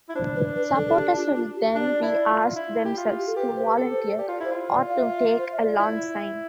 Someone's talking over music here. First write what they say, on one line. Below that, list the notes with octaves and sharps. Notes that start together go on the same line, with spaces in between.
Supporters will then be asked themselves to volunteer, or to take a lawn sign.
E4
D4 C5
B4
B4
A4
A4
G4
F4
F4
G4
D4 D5
E4
F4
E4
G4
F4
G4
A4
G4 B4
C5
B4
A4
C5
G4 D5
F4
E4 C5
F4
D5
F5
E5
E5
C5
E5
D5
E4